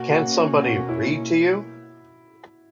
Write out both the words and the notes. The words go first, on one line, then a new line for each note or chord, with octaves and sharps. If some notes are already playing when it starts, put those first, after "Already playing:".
Can't somebody read to you?
Already playing: B2 A#3 C#4 F#4
F#4
F#4
E4